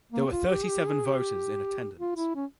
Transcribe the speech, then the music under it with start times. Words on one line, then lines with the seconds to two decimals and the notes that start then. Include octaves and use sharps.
There were thirty-seven voters in attendance.
0.12 A#3
0.26 G4
0.31 F4
0.50 G4
0.63 G#4
0.68 G4
0.86 G#4
1.05 G4
1.98 F4
2.16 E4
2.35 C#4